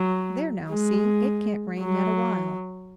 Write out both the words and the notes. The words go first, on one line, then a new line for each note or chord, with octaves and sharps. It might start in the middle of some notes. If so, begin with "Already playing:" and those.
"There, now, see, it can't rain yet awhile."
Already playing: F#3
G#3
F#3